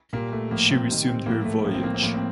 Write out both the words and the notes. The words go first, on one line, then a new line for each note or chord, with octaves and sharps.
She resumed her voyage.
A#2 G3 A#3
A3
A2 F3 A#3
C4
C3 D#3 G3
C4
A2 F3 A#3
A3
A2 F3 A#3
C4
A#3
C4
A2 F3 A#3
C4